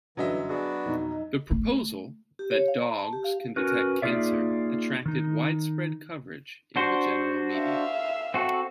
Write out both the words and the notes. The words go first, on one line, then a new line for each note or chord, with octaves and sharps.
The proposal that dogs can detect cancer attracted widespread coverage in the general media.
G1 F#2 D3 E3 F#3 D#5 E5
B3 D4 F#4 G#4
F2 B2 D#4
A3
G4
C#5
F5
A#5
A5
G4
F5
C#4 F#4 A#4 B4
A#3 D#4 F4 G#4 D5 E5
D#3 D#4
D4 F#4 C5
E5 F5
C4 F#4 A4